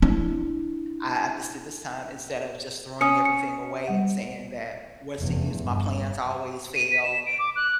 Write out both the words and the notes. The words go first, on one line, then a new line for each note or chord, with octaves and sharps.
I I missed it this time," instead of just throwing everything away and saying that, "What's the use? My plans always fail.
D4 E4
C#4 D#6 C#7
C#7
G3 F#5
F1 E2
G1
D#7
B6
E7
D7
D6
F#6